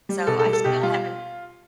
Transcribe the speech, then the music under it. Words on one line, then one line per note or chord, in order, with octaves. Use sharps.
so, I still haven't
G3
B2 A4
A4
G3
A4
B2 G4
G3 F4